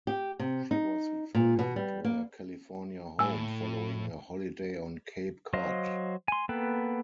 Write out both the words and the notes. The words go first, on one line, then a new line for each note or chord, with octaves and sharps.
She was returning to her California home following a holiday on Cape Cod.
G4
C3
D#4
A#2
B2
G3
A#3
A2 G#5 E6
F#3 C5 D#5 F5
G#5 C6
A#3 B3 A4 B4 G5